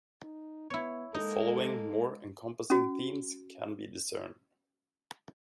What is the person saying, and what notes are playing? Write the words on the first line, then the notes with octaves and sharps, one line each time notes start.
The following more encompassing themes can be discerned.
D#4
B3 E4 C#5
G#3 A#3 D#4 A4
C#4 F#4